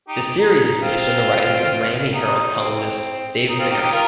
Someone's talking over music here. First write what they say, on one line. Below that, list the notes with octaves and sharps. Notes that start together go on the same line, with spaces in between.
The series is based on the writing of "Miami Herald" columnist Dave Barry.
D#4 G4
D#4
C4 F4
D#4
C4
D#4
C4 F4
D#4 G4
A#4
D#4 G4
F4 A#4